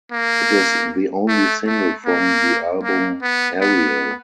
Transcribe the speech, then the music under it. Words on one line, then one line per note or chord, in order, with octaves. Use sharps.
It is the only single from the album "Aerial".
A#3
A3
A3
A#3
A#3
B3
B3